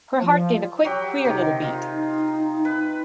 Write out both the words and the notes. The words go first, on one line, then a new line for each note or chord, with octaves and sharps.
Her heart gave a quick, queer little beat.
F3
F#3 G4
C3 D#3 D#4
F4
D#4
B4